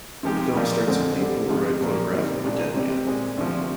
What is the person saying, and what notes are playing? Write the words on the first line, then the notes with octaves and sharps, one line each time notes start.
The film starts with the Polaroid photograph of a dead man.
C3 F3 G#3 D#4 G4
A#2 F3 A#3 F4
F2 D3 G#3 C4
D3 G3 C4
F2 C3 F3
A#2 F3 A#3
A#2 G3 C4 D#4
C2 A#2 G#3 D4
C3 G3 C4 G4
A#2 G#3 C4
D2 C3 F3